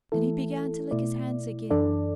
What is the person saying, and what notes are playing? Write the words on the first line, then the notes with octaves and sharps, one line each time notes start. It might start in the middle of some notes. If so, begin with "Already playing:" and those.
Then he began to lick his hands again.
E3 A3 E4 A4
B2 A3 E4 D5
F#2 E3 D4 A4 D5